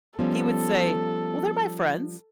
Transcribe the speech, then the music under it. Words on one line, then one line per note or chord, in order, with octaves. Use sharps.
He would say, "Well, they're my friends."
F3 G3 B3 C#4 A4